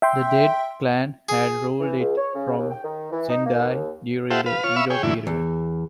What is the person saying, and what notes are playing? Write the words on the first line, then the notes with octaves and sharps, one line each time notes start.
The Date clan had ruled it from Sendai during the Edo period.
E5 G5 C6
G#4
E3
C#2
C#5
C#3
D#2
G5
D#3
E3
D#4
A#3
D#2
F4 G4 A4 C5 E5 F#5
B4 F5
F4 C#5 F6
E5 F5 B5 C#6 E6
G#4 C#5 G5
F#2 A2 D3 E3 E4
E2